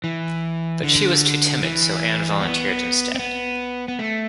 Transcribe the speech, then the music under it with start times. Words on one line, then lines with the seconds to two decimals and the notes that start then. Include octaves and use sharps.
But she was too timid so Anne volunteered instead.
0.04 E3
0.83 D3
1.63 E3
2.41 B3
3.14 C4
3.19 B3
3.88 B3
3.99 A3